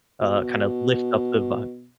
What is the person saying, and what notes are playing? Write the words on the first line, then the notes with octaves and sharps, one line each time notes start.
uh, kind of, lift up the vibe.
B2